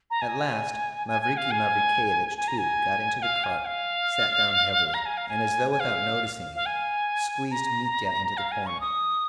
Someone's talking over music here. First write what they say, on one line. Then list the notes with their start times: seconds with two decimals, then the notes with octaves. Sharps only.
At last Mavriky Mavrikyevitch, too, got into the cart, sat down heavily, and, as though without noticing it, squeezed Mitya into the corner.
0.10 A#5
0.22 G#5
1.07 G#5
1.22 G#5
1.37 F5
1.51 G#5
2.37 G#5
2.48 A#5
2.58 G#5
3.22 F5
3.44 G#5
3.66 F5
4.94 A#5
5.06 G#5
5.17 F5
5.29 G#5
5.70 G#5
5.80 F5
6.56 F5
6.66 G#5
7.51 A#5
8.37 F5
8.52 G#5
8.66 C#6
8.81 D#6